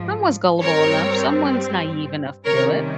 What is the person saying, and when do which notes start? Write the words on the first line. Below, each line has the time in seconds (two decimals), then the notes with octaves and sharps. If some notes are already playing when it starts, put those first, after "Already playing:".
Someone's gullible enough, someone's naive enough to do it.
Already playing: G#2 F3
0.62 G2 G3 C4 A#4 C#5
2.45 C3 D#3 G3 C#4 A#4 C#5